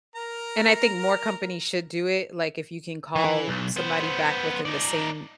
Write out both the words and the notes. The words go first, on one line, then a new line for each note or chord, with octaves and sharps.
and I think more companies should do it, like, if you can call somebody back within the same
A#4 A#5
E3
B1
B3 C5
D#4 D5